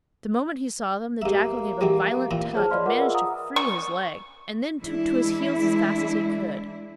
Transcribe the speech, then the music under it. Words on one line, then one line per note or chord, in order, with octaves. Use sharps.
The moment he saw them, the jackal gave a violent tug, and managed to free his leg, and then took to his heels as fast as he could.
G2 A#3 E5
E3 F#3 G3
A#2 E3 C4
G#4 C5 C#5 A5 F6
D5 D#5 F5 B5 C6
F4 A#4 B4 F#5 D6
G#4 E5 G#5 E6
F#5 A#5 D#6
C#6
E3 G#3 D4 E4